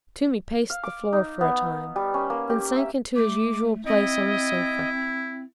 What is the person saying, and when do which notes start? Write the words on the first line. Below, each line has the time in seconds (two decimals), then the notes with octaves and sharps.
Toomey paced the floor for a time, then sank into his usual place on the sofa.
0.70 F5
0.83 D6
1.13 D#4
1.41 B3
1.96 G3
2.14 C#4
2.30 A#3
2.50 G4
2.76 E5
3.16 A3 D6
3.85 C4 E4 D#5